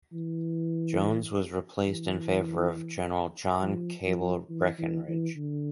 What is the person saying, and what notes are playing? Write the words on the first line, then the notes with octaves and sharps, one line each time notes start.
Jones was replaced in favor of General John Cabell Breckinridge.
E3
E3
F3
F3
E3
E3
E3
D3